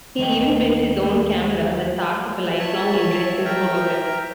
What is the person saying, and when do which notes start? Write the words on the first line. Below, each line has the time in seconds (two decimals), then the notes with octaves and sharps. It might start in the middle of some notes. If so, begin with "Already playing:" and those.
He even built his own camera, the start of a lifelong interest in photography.
0.18 D#2 A3 D#5 G5
2.59 C#5 E5 A5 C#6
3.45 A#4 E5 G5 A#5